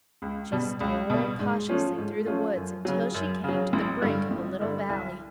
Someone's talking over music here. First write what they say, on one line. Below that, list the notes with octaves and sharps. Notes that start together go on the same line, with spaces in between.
She stole cautiously through the woods until she came to the brink of a little valley.
C#2
B2 G3
C#2
B2 G3
G#2
F3 A3 C#4 F4
G#2
F3 A3 C#4 F4
F#2
C#3 F#3
F#2
C#3 F#3
A1
G2 D3 G3
A1
G2 D3 G3
C2